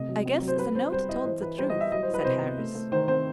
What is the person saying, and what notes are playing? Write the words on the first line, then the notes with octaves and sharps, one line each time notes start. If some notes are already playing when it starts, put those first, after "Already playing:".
"I guess the note told the truth," said Harris.
Already playing: C3 A3 D#5
F#3
C4
F#3
C5
G3 B4
C4 C5
G3 C5
E4 D#5
E3 C5
E3 B4
G3 C5
D#5
G3
E5
F#3 D#5
C5
E4
B4
D#5
C3 C5
B3
A3
A3
D#3 C5
C4 C5